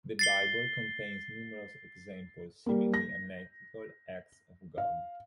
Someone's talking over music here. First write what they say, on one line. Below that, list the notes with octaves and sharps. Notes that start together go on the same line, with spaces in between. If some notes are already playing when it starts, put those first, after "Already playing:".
The Bible contains numerous examples seemingly unethical acts of God.
A6 C7 G7
G3 A#3
A#6
F5